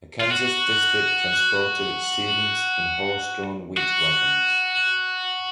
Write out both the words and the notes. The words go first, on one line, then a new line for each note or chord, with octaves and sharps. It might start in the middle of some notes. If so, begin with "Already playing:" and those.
A Kansas district transported its students in horse-drawn wheat wagons.
F4
F#4
F#4